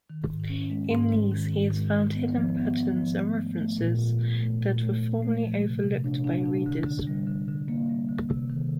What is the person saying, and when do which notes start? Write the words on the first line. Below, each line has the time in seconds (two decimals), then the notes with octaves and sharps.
In these, he found hidden patterns and references that were formerly overlooked by readers.
0.10 D#3
0.30 G#2
0.49 C#4
0.70 G#3
0.91 G#2
1.11 G#3
1.32 D#3
1.53 G#2
1.74 G#3
1.94 G#3
2.14 B3
2.35 F3
2.55 B3
2.76 B3
2.97 F3
3.16 G#3
3.38 A3
3.58 A3
3.78 A#2
3.98 A#2
4.19 A#2
4.40 A3
4.61 A#2
4.81 A3
5.02 A3
5.22 A3
5.43 F3
5.63 C3
5.84 C3
6.04 D4
6.24 D4
6.46 D4
6.66 D3
6.86 D3
7.07 G3
7.27 D3
7.48 D3
7.68 A#3
7.89 G3
8.09 D3
8.29 C3
8.50 D#3